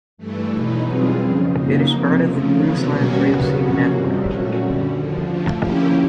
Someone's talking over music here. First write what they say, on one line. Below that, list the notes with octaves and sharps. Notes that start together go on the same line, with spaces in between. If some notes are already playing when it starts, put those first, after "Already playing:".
It is part of the Queensland Rail City network.
G2 E3 A3
E2 B2 F#3 B3 D#4
B2 G3 C4 F4 G#4
F2 C#3 F3
F#2 C#3 F#3 A#3 D#4
F2 C3 F3 A#3
C#3 F3 A3
C3 D#3 F#3 B3
B2 G3 A#3 C#4 F#4
D#2 C#3 F#3 B3
C3 F3 A#3 C#4 F#4
G2 D#3 G3 C4
A#2 F#3 A3 C#4 F#4
F#2 D3 G3
D#2 D3 F3
D3 F3 A3
F3 A#3 C#4 E4 G4